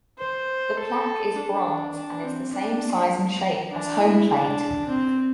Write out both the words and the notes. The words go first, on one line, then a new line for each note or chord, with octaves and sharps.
The plaque is bronze and is the same size and shape as home plate.
C5
A4
D4
D4
C4
D4
D4
E4
D4
C4